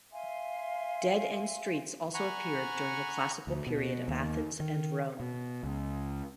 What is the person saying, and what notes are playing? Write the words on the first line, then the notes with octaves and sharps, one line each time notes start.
Dead-end streets also appeared during the classical period of Athens and Rome.
E5 F5 G#5 C6
F#5 G#5 A#5 B5 C#6
D2
B2
D#2
D#3
B2
C#2